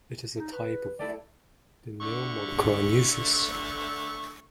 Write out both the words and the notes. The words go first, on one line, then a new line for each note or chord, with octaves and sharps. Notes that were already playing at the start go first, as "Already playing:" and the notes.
It is a type of pneumoconiosis.
D#4
B4
G3 A3 E4 D5
D3 A3 C#6